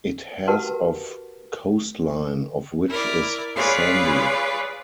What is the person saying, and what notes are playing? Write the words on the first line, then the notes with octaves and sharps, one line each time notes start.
It has of coastline, of which is sandy.
F#4 G4 A#4 B4 F#5 A5
E4 A#4 D5
F4 G#4 B4 C#5 D5